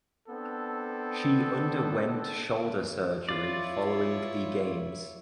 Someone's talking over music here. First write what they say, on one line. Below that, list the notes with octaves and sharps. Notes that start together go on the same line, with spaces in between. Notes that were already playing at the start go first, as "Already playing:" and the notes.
She underwent shoulder surgery following the Games.
B3 C4 D4 A4
E4 F4 C#5 D5